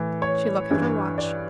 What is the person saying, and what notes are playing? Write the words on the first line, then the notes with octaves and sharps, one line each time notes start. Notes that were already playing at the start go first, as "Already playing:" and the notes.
She looked at her watch.
Already playing: A2 E3
C#5
G2 E3
D5